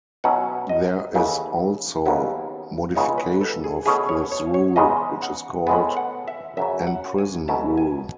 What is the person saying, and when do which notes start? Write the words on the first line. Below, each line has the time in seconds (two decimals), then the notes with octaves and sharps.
There is also modification of this rule, which is called "en prison" rule.
0.24 B2 F#3 C#4 E4 F#5
0.69 D#5
1.14 D#2 C#3 E3 A3 E4
2.06 D#2 C#3 F#3 B3 E4
2.95 C#2 C#3 G#3 B3 D#4 C#5
3.18 B4
3.41 A4
3.64 G#4
3.86 B2 A3 C#4 E4 G#4
4.09 C#5
4.32 C#5
4.54 C#5
4.76 E2 C#3 G#3 D#4 D#5
5.22 F#5
5.67 A2 G#3 B3 G#5
5.97 F#5
6.28 E5
6.57 F#2 C#3 F#3 E5
6.87 F#5
7.18 G#5
7.48 B2 F#3 A3 C#4 E4 A5
7.78 G#5